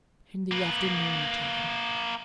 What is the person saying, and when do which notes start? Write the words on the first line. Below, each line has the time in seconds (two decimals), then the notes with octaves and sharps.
'In the afternoon, tell them.
0.51 A#3 B4